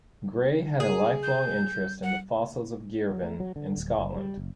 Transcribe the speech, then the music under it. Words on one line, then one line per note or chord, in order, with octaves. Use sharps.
Gray had a lifelong interest in the fossils of Girvan in Scotland.
G#4
G6
F#5
F#3
A3
F#3
D3
D1
F#1
G3
F#1